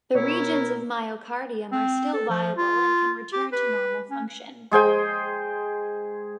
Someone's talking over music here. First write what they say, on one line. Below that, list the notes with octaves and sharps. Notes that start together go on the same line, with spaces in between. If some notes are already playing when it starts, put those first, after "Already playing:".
The regions of myocardium are still viable and can return to normal function.
B2 E4 A#4 C#5
C4
A4
F3
F4
G4
B4
C#4
G#3 G#4 C5 G5